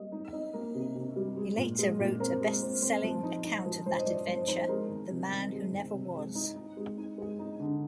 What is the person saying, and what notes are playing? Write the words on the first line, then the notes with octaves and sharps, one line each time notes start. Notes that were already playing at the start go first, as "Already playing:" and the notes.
He later wrote a best-selling account of that adventure, "The Man Who Never Was".
Already playing: G3 A#3 D#5
D#4
D#4 D#5
A#3 A#4
C3
C3
G3
G#3
A#2
G#3
A#2
C4 A#4
G#3
C4
C4
F3
D#4
D#4
F3
F3 C5
D#5
F3 D5
F3 C5
D#4 C5
G#3 A#4
D#3
C3
D#3
G#3
D#3
C3
G#3
D#4
D#4
G#3
D#4
G#3 G#4
D#4
D3